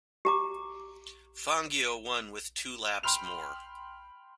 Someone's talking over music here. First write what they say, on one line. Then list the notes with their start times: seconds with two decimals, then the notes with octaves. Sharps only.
Fangio won with two laps more.
0.25 G4 A#5 D6
3.03 G5 B5 C6 F6 F7